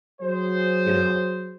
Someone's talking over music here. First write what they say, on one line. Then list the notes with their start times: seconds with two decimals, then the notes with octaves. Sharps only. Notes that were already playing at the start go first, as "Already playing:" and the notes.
You know,
0.21 F#3 G#4 C5